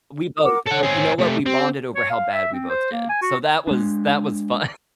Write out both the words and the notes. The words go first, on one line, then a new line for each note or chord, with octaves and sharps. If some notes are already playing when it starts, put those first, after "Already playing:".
We both, uh, you know what, we bonded over how bad we both did, so, that was that was fun.
A#4 F#5 D6
A4 C#5 F#5
C4 G#4
C3 A3
C4 G4
C#5
F5
E5
C4
C5
A#3
G#5
F#4
G#3 D4